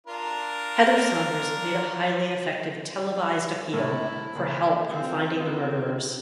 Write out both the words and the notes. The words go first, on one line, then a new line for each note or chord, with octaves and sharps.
Heather Saunders made a highly effective televised appeal for help in finding the murderers.
D4 F4 A#4
A2 E4 A#4 E6
C#2 A#2
C4 F4 G#4 F5
B3 C4 D#4 F4